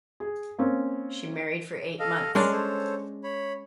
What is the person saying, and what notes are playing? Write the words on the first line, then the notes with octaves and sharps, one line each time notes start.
She married for eight months.
G#4
A#3 C4 C#4
A4 D#5 F5
G#3 C#4 D4 A#4
A4 C5 C#5
C#5 B5